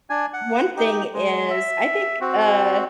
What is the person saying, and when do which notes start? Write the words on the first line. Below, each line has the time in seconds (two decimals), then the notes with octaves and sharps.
one thing is I think, uh,
0.10 D4 G#5
0.33 F#5
0.77 D#4 G4
1.13 G#3
1.50 E5
2.21 C4 F#4